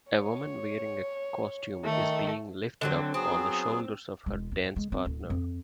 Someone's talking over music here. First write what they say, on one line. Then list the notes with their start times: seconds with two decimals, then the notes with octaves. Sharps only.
A woman wearing a costume is being lifted up on the shoulders of her dance partner.
0.11 C#5
1.84 D#3 A3
2.81 D3 F#3 C4
3.14 F#3 B3 C4 G#4
4.26 E1 G#3
4.52 E2
4.76 C#3 G#3
4.92 C4
5.05 D1 D2
5.30 F2